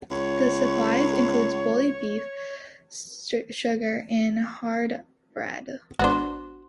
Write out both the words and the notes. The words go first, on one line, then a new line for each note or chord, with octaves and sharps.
The supplies include bully-beef, sugar and hard bread.
C#2 C#5
G#1 B3 D4 F#4 C5